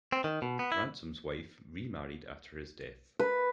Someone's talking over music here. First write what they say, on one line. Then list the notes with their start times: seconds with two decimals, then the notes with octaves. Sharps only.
Ransom’s wife remarried after his death.
0.12 C4
0.24 D#3
0.42 B2
0.59 B3
0.72 E4
3.19 B4